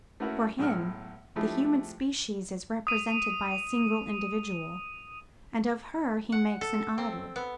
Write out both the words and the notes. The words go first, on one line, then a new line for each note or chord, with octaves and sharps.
For him, the human species is represented by a single individual, and of her he makes an idol.
A3 A#3 C#4 E4 F#4 A#4
B1 A2 G#3 F#5 E6 F6
D3 F3 G#3 A3 E4 G4
D#6 D#7
F#5
A4
C4
B3